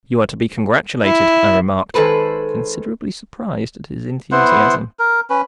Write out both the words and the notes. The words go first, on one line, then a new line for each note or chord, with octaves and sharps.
"You are to be congratulated," I remarked, considerably surprised at his enthusiasm.
E4
D#3 G#3 A4 B4 C5
B3 E4 C5 F#5
A#4
C#4 B4